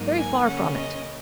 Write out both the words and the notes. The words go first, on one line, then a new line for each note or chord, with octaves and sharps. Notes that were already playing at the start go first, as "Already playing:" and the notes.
Very far from it.
Already playing: G#2 F#3 A#3 D#4
G#5
C#3 A#3 C#4 F#5
D#5